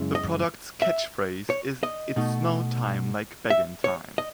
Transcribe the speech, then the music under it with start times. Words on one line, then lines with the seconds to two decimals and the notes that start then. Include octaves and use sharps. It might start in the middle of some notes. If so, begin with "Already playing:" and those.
The product's catchphrase is It's no time like Beggin' time!
Already playing: F#2 C#3 G#3 C#4 E4
0.15 D#5
0.82 E5
1.50 C#5
1.83 D#5
2.16 B2 A3 D#4
3.50 E5
3.84 C#5
4.18 D#5